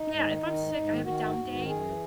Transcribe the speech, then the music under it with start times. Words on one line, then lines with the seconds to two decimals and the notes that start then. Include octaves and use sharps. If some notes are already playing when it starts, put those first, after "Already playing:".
yeah, if I'm sick, I have a down day,
Already playing: D#4
0.08 G#2
0.24 D#3
0.41 D#3
0.57 G#2
0.73 G#2
0.89 D#3
1.05 D#3 F#4
1.20 G#2
1.37 G#2
1.53 D#3
1.68 F#2 G#4
1.85 E3